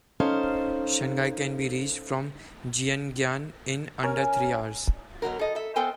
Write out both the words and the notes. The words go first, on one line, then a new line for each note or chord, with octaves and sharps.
Shanghai can be reached from Jiangyan in under three hours.
C#4 D#4 A4 C5 F5
C#4 A#4 G#5
B2 F#3 F#4 A#4
A4 D#5
A4 E5
B3 A4 A#4 C5 G5 G#5